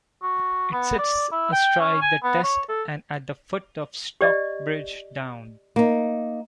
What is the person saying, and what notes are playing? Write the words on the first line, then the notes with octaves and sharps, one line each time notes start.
It sits astride the Test and at the foot of Stockbridge Down.
F#4
B3
D5
E4
G5
C#4
G#5
B3
C#5
A4
G4 D5 D#5
A#3 D#4